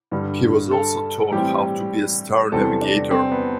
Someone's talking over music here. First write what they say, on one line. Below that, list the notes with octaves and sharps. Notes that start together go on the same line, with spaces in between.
He was also taught how to be a star navigator.
G2 D3 G3
A4
A2 E3 G3 C4 G4
E2 C3 G3 C4 A4
D4
C4
B3